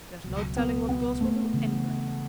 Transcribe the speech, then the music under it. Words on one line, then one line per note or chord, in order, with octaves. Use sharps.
There's no telling what girls will do anyway.
C#2 B2 F#3
B3
B3
A3
C#3 E3 B3 D4